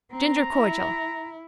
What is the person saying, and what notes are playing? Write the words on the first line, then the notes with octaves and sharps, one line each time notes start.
Ginger cordial.
C4 A#5
E4